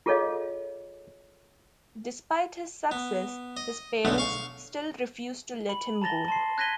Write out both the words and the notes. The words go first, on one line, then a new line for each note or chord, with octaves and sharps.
Despite his success, his parents still refuse to let him go.
F4 G#4 A4 C#5 D#5 F5
B3
D#5
B1 D3 G#3 A3 B3
F5 C#6
B5 F#7
A5 A#5 A6 A#6 G7
A5 C6 C7
F#6 G#6 A#6 B6 D#7 G7